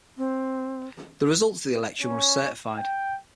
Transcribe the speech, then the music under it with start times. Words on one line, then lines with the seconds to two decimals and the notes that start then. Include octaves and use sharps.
The results of the election were certified.
0.17 C4
2.00 C#4
2.78 G5